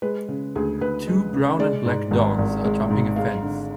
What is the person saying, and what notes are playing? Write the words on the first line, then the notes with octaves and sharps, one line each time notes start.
Two brown and black dogs are jumping a fence.
G#3 B4
C#3
D2 G#4
D2 B4
G#3
C#3
G#3 D5
G#2
G#1
G#1
G#3
G#2
G#3 F5
D3